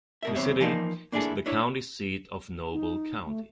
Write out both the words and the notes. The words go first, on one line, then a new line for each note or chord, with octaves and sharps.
The city is the county seat of Noble County.
B2 A#4 E5
E2 G3 C4 C#5 E5
E3 F3 A#3 D#4 D5
A#3 D4 E4 G#4 A4
D4 E4 C#5
D#4
A3